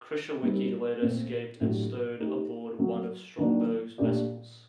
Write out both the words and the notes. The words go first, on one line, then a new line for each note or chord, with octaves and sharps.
Krycsiwiki later escaped and stowed aboard one of Stromberg's vessels.
G3 C4 D#4 G4 A#4
A#2 A3 C4
A2 F#3 A3 D4 G4
A3 D#4 G4
F#3 A3 C4
D#3 F#3 A#3 D4
A#2 A3 D4 G4 D5